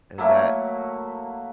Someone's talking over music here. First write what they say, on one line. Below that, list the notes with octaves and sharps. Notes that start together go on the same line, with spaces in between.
and that
F#3 A3 A#3 E4